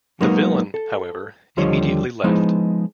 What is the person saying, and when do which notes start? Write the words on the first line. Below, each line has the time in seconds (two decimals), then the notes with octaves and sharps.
The villain, however, immediately left.
0.21 F#3 G#3 A#3 B3 D#4
0.74 A4
1.57 D#2 D3 F3 G3 C#5 D#5
2.24 F3 G#3 B3 D#4 E4 C5